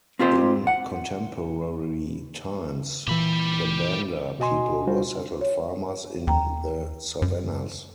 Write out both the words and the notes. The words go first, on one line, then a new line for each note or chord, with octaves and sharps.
In contemporary times, the Banda people are settled farmers in the Savannas.
C4 F4 G4 C5
F#5
A#2 E3 G4 B5
B2 F#4 D#5 G#5 C6
G3 D4 F4 F#4 C5
C#5
D#2 G5 A#5
F#2